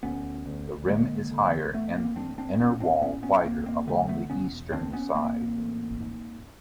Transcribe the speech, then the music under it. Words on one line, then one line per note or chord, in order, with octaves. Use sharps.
The rim is higher and the inner wall wider along the eastern side.
D2 B3 C#4
D2
D3 G#3 A#3
D3
A1 A3 B3
A#3 C4
A1 C4 D4
C4 D4
A2 B3 C#4
C4 D4
A2 B3 C#4
B3 C#4
E1 A#3 C4
A#3 C4
D3 A3 B3
A3 B3
E1 B3 C#4
D2 C4 D4
B3 C#4
A1 A#3 C4
A1
G#2